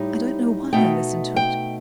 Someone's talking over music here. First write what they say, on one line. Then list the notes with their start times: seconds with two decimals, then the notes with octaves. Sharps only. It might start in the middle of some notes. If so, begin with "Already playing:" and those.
I don't know why I listened to it.
Already playing: A2 G3 D#4
0.73 B2 A3 D#4 G5
1.36 G5